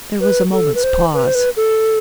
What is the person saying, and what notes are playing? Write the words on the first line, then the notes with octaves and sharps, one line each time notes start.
There was a moment's pause.
B4
A4
B4
C5
B4
C5
B4
A4